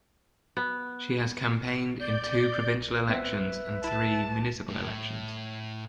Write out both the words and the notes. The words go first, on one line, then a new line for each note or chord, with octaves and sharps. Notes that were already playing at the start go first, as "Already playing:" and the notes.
She has campaigned in two provincial elections and three municipal elections.
B3
D5 G6
B3 C4 B4 E5
E4 A5
A2